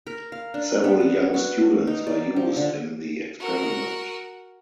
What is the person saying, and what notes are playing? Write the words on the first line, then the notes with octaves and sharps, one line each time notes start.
Several young students were used in the experiment.
A#4
F5
D4
B3
F#5
F#4
D#4
D5
F3
D3
F#4 A#4